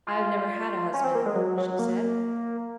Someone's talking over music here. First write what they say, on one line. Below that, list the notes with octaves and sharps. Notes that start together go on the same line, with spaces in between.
"I have never had a husband," she said.
F4
C#4
C4
A#3
G#3
F#3
F#3
A#3